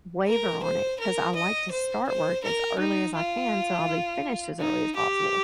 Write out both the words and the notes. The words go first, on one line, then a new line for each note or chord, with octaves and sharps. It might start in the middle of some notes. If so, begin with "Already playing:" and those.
waiver on it 'cause I like to start work as early as I can, so I'll be finished as early as possible.
A#4
C5
A#4
D#5
C5
C5
A#4
D#4
F4
D#4
G4